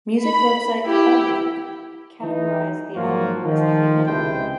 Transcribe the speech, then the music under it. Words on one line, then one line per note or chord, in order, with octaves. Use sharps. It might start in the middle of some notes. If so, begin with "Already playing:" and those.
Music website AllMusic categorised the album as heavy metal.
B5
E4 G4
E3 D#4
G#2 F3 F#3 A#3 F4 F#4
D#3 F3
C#2 C3 G#3 E4 C5 G5